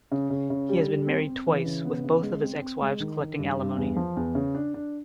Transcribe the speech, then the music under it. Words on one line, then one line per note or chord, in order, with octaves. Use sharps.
He has been married twice, with both of his ex-wives collecting alimony.
C#3
C#3
C#3
G3
G3
C4
C4
E3
C#3
B3
C#3
G#3
C4
C4
G#3
D#3
D#3
G2
G2
E2
F3
E2
C#3
D4
D4